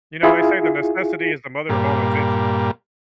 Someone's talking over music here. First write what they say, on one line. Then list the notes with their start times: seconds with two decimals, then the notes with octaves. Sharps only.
You know, they say that necessity is the mother of all invention.
0.23 E4 F4 G#4
1.69 G2 A#2